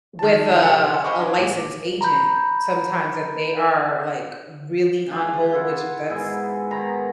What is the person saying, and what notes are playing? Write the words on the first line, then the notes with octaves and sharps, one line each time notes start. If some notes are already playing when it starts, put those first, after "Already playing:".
with, uh, a licensed agent, sometimes that they are, like, really on hold, which that's
D#3 A5
C3 F3 G4 A4 A5 C#7
G#5 C6
C5 D#5 F5 B5 C#6 D6
D4 E4 F4 F#5 G#5
A#2 D6
A#5 B5 G6
F4 G4 G#4 G#5
E4 F4 F#5
G#2 B2 E4 G#4
B2 D#3 A#5 B5